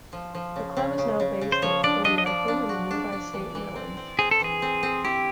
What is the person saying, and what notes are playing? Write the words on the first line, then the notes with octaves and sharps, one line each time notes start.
The club is now based at Llwynarthen in nearby Saint Mellons.
F3
F3
C#3
C#3
C#3
C#3
C#3
C5
F3 C#5
D4 D5
D4 D#5
D#5
F3 D5
D4
F#4
D4
D4
E3
E3
C4
C4
C4 G#4
A4
E3 G#4
C4
C4
E4 G4